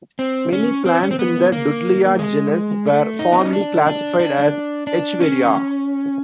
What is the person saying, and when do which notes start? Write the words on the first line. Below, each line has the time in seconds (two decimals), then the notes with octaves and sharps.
Many plants in the Dudleya genus were formerly classified as "Echeveria".
0.19 C4
0.53 C#4
0.85 C4
1.03 C#4
1.11 C4
1.19 B3
1.52 A#3
2.19 G#3
2.86 A3
3.19 D#4
3.32 B3
3.39 C4
3.45 C#4
3.53 D4
3.87 D4
4.19 D4
4.87 D4
5.20 C#4